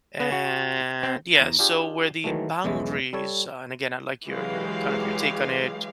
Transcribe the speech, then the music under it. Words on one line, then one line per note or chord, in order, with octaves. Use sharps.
And yeah, so where the boundaries, uh and, again, I like your your kind of your take on it,
B3
F#4
C4
E2 A#5
D4 F4 G4 G#4
D#3 E3 F#3 G#3 A3
B1 E2 E3 G#3 C#4 E5
G3 A4 C#5
E3 F#3 G#3 G4 F5